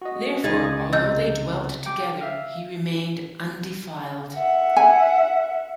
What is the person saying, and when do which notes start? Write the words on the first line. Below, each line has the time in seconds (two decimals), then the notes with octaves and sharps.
Therefore, although they dwelt together, he remained 'undefiled'.
0.02 F#4 D#5
0.44 C#2 C#3 D#4 G#4 D#5 A6
0.93 C3 D#5 E6 G6
1.86 G5 D6
2.21 E5 F5 F6
4.36 E5 F#5
4.77 G#5